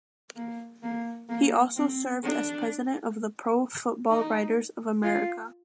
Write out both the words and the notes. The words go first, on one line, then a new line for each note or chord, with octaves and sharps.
He also served as President of the Pro Football Writers of America.
A#3
A#3
A#3
C4
D4
D#4
F4